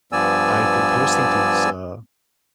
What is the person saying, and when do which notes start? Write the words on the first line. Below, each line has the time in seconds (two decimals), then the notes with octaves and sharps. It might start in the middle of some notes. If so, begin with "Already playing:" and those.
I've been posting these, uh,
0.12 G2 F3 B3 D5 G#5 E6